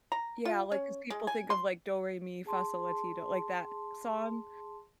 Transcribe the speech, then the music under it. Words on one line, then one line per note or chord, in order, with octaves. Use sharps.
Yeah, like, 'cause people think of like Do Re Mi Fa So La Ti Do, like, that song,
A#5
F4
C#4
G#3
G#5
C6
G#4 A5 C6